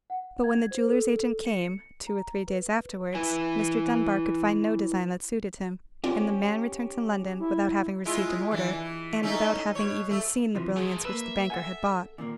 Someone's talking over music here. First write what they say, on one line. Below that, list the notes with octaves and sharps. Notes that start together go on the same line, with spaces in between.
But when the jeweller's agent came, two or three days afterwards, Mr. Dunbar could find no design that suited him; and the man returned to London without having received an order, and without having even seen the brilliants which the banker had bought.
F#5
G#6
C5
A4
A4
C#7
A#5
B4
E4 B4 G#5
C4 C#4 F4 G4 D5
E4
G#3 E4 F4
E3 D4
E3
A3 C#4 D#4
B2 C#5
A3
C3 E3 F3
F3 A3 G#4
A#3 B4 E5
A4 F#5 G#5
A#2 D#3 A#3